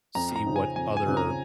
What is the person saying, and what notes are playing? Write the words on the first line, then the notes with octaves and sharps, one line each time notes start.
see what other
F2 A#5
A#5
C#3 F3 C4 D#4
G#5
F2 G#5
G#5
C#3 F3 C4 D#4
A#5